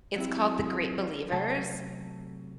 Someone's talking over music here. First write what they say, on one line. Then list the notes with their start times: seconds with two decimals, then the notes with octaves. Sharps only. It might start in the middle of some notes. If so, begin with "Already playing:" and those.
it's called The Great Believers
0.16 F#3 C4 E4
1.32 C3 F#3 A3 A5